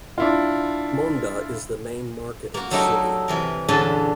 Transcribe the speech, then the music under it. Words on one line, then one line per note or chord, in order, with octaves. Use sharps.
Mondha is the main market in city.
D4 E4 F4
A#3 F#4
F#3 G3 A3 D#4 E4 A#4
C3 E3 A#4
E2 A#2 D3 C#4 B4 A5